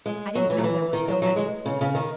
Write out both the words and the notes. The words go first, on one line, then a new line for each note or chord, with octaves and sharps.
I didn't know there were so many.
G#3
F#3
E3
F#3
E3
D#3
F#3
F#3
G#3
C#3
C#3
D#3